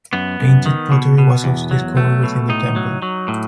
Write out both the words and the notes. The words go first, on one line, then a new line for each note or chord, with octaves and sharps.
Painted pottery was also discovered within the temple.
F#2 B3
F#2
D#3
B2
B2
E2
F#3
A3
B2
A2 D#4
F#3
F#3
A2